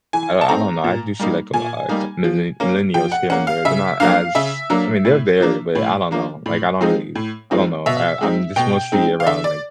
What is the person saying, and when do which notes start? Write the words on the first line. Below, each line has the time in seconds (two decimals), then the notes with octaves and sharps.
I I don't know, I do see, like, um, uh, c millenn millennials, here and there, they're not as I mean, they're there, but I don't know, like, I don't really, I don't know, I I'm just mostly around, like,
0.13 E3 G#5
0.41 A5
0.48 A3 C4 D#4 A#5
0.84 A#2
1.20 G3 A#3 D#4
1.54 A#2 G#5
1.89 G3 A#3 D#4
2.24 F3
2.60 A#3 C#4
2.94 F3 G5
3.12 F#5
3.30 A#3 C#4 F#5
3.47 F5
3.65 C#3 E5
4.00 F#3 A#3 D4 F5
4.35 C#3 E5
4.70 F#3 A#3 D4
5.05 A2
5.40 F3 A#3 D4
5.75 A2
6.11 F3 A#3 D4
6.46 A2
6.81 F3 G#3 C4 D#4
7.16 A2
7.51 F3 G#3 C4 D#4
7.86 B2 E5
8.21 G#3 C4 D#4
8.56 B2 G5
8.92 G#3 C4 D#4
9.20 F5
9.27 D3 E5
9.44 D5